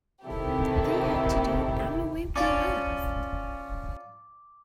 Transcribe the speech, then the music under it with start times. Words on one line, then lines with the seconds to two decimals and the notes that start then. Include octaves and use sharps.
They had to do anyway when we left.
0.25 C3 D#3 E4 G4 A4
2.36 C#4 D4 F4 D5 D6